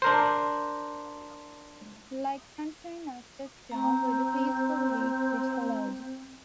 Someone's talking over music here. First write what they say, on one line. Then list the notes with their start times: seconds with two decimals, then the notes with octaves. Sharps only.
Like sunshine after storm were the peaceful weeks which followed.
0.02 D4 A#4 C5
3.71 C4 A#5